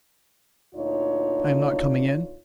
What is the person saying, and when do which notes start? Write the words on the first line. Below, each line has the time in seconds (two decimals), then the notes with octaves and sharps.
I am not coming in.
0.75 D2 A#2 D4 D#4 F4 C#5